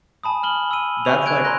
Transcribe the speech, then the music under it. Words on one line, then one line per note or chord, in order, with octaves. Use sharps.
That's, like
G#5 A5 B5 D#6
F6 F#7 G7
E6 D#7
G#5 C#6 F7
F#6 G#6 D7
A#5 C6 F#6 A#6